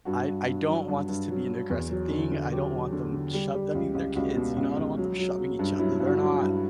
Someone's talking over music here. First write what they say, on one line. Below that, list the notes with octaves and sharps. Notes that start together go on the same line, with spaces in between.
I I don't want this to be an aggressive thing, I don't want them shove I mean, they're kids, you know, I don't want them shoving each other. They're not
G2 F#4
G2
G2
F#3
G2
G2
F#3
F#3
E2
F#3
D3
D3
F#3 G4
F#3
D3
D3
G3
G3
C#2
C#2
C#2 F#4
B2
C#2
C#2
F#3
F#3
F#3
G2
F#3 E4
G2
F#4
F#3
E4
G2